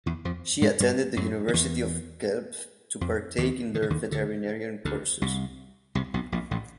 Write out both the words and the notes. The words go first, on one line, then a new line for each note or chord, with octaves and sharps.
She attended the University of Guelph to partake in their veterinarian courses.
E2 E3
F2 F3
G#2 G#3
G2 G3
F#2 F#3
D#3
E2 E3
F2 F3
D#2 D#3
D#3
D3
D#2 D#3
D2 D3
D2 D3
C2 C3
C2 C3
B1 B2
A#1 A#2
A1 A2